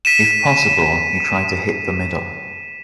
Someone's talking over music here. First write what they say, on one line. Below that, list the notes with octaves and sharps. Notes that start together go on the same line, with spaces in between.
If possible, you try to hid the middle.
B6 D#7 E7